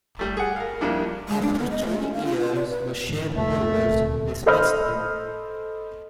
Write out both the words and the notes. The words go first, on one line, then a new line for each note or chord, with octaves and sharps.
After three years the shareholders dismissed him.
G3 A3
G#4 F#5
A#4 F5
F2 F3 G3 A#3 D4 E4
G#3
D4
B3
D#5
A3
C#4
F5
F4
F4
D5
B4
G#2 D3 E3
C2 F2 F3 A3
D#1 D2 C3
A4 C5 D#5 B5 F6